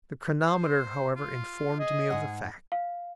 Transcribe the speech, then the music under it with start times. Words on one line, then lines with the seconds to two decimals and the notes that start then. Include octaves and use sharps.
The chronometer, however, informed me of the fact.
0.47 C5
1.16 F4
1.79 G#4 D#5
2.10 G#2 F#5
2.72 F5